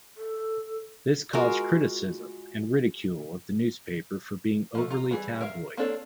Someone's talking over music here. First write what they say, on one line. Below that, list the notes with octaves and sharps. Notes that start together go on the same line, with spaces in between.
This caused criticism and ridicule of the newspaper for being overly tabloid.
A4
G#3 F4 F#4 A#4
F3 A3
F4 A#5
E3 G3 G#4
A#4 E5 F5
A#3 C4 D4 A4 C#5